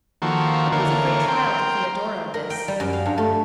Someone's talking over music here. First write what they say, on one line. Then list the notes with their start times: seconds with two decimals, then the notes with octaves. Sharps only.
It was a great trial to Theodora, this.
0.22 D#3 F3 A#3 F#4 A4
0.72 D3 E3 A#3 A#4 C#5
1.28 A#4 G5 C6
2.34 A#4
2.50 G5
2.68 G3
2.80 F#2
2.93 F5
3.06 G2
3.18 A3